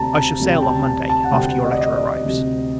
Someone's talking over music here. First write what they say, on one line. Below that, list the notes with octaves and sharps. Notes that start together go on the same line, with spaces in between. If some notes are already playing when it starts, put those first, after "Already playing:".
I shall sail, on Monday, after your letter arrives.
Already playing: D2 C3 G3 A5 A#5
A5
D2 C3 G3
G5
A5
A5
A5
F#5
D2 C3 G3 G5
D#5
D5
D#5
D5
D2 C3 G3